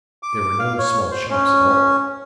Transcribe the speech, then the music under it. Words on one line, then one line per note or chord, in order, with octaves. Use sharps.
There were no small shops at all.
D6
F5
C#5
C5
C#4